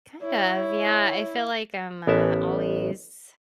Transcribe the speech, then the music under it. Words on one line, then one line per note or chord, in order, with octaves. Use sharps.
Kind of, yeah. I feel like I'm, uh, always,
E4 C#5
A1 B3 A#4 E5 A5